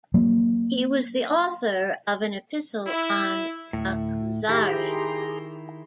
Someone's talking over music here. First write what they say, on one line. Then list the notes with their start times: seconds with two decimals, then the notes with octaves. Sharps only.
He was the author of an epistle on the "Kuzari".
0.14 F#3 A#3
2.88 E4
3.73 D2 A2
4.48 D#3 E4 G4 G#4 A#5 C6